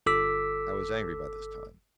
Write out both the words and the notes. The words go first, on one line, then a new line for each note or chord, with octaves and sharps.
I was angry by this time.
G1 A4 D6 E6 B6